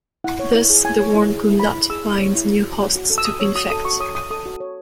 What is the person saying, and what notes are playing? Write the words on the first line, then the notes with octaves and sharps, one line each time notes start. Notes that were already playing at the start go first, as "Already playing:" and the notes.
Thus, the worm could not find new hosts to infect.
E4 F#5
C#5
E4
G#4
E4 G#5
C#5
E4
G#4
E4
C#5 B5
E4
G#4 E6
E4
C#5
E4
G#4
F#4
C#5
F#4
A4
E6
F#4 D#6
C#5 E6
F#4 D#6
A4 D#6
F#4 C#6
C#5 D#6
F#4 D#6
A4 D#6
F#4
C#5